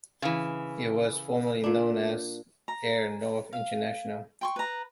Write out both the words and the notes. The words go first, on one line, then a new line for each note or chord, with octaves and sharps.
It was formerly known as Air North International.
C#3 E3
A#2 D4
A#5
F5
G5 C6 C#6
B4 A#5